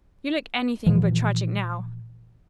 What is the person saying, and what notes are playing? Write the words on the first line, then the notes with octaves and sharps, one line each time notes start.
"You look anything but tragic now."
A#2 E3 F3